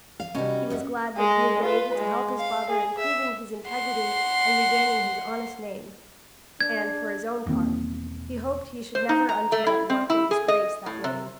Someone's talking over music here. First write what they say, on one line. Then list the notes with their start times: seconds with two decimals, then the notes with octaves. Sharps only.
He was glad that he had been able to help his father in proving his integrity and regaining his honest name; and, for his own part, he hoped he should never undo that work and disgrace that name.
0.20 F3 F5
0.35 E2 C3 G3 C#4 D#4 F#4
0.70 F#2 B2 E5 F#5
1.17 G#3 D#5
1.63 F4 B4
1.96 G#3
2.39 F5
2.70 G#4
2.98 E5
3.69 F#5 C6
6.61 D4 G#6
7.46 E1 D#3 A#3 C4
8.95 C5
9.09 D#4
9.29 A#5
9.52 A3
9.67 E4
9.90 C4
10.10 E4
10.31 G#4
10.48 D#5
10.86 A2
11.04 C3